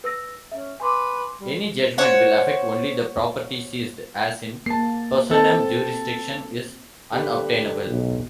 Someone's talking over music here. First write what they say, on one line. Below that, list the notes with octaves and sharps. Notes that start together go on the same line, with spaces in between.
Any judgment will affect only the property seized, as "in personam" jurisdiction is unobtainable.
B4 E6 A#6
C#4 E5
B4 G#5 C6 D6
G3
C5 C#5 F#5
A#3 A5 C7
C4 A4 A5
D3 G4 B4
B1